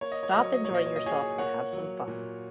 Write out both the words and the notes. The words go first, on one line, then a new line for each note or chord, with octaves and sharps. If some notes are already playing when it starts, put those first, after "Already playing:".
"Stop enjoying yourself and have some fun".
A#3 C#5
D#5
C#5
F#3 D#5
C#5
D#5
C#5
A#2 D#5
C#5
D#5
A#2 G#4 C#5
A#3 C#5 F#5
F#3
A#2